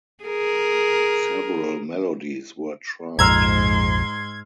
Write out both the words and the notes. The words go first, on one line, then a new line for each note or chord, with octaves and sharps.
Several melodies were tried.
G#4 A#4
A#1 F2 G#2 A#5 C6 E6 F6 G#6